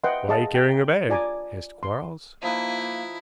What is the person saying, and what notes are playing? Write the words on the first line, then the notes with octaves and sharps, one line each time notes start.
"Why carrying a bag?" asked Quarles.
B4 D#5 E5 F#5 G5 C6
G#4 D#5 F5 A5
G5
F4 D5 G#5 A#5 D6
C6
F3 A#3 D#4 E4 B4